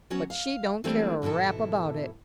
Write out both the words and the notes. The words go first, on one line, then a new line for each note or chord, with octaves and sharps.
But she don't care a rap about it.
F#3 B3 C#4 F#4 C#5
F5
E3 G3 A3 A#3 C4 D4
G#2 B2 E3 E4 A4